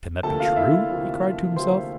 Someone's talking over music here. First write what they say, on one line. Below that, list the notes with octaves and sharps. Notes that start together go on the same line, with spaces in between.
"But can that be true?" he cried to himself.
D2 C3 F3 A#3 A4 A5
F4 F5
E4 E5
D2 C3 F3 A#3
D2 C3 F3 A#3 C5 C6